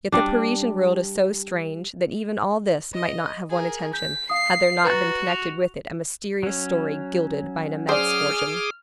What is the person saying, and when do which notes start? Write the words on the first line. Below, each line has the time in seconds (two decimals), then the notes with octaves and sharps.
Yet the Parisian world is so strange, that even all this might not have won attention had there not been connected with it a mysterious story gilded by an immense fortune.
0.12 G3 D4
2.93 D#5
3.50 G#4 A#4
3.93 G6 B6
4.30 F5 D#6 C7
4.84 F#4 B4 A#5 A6
5.29 F7
6.43 F#3 C#4
7.89 G#4 C5 D5 D6 D#6 F6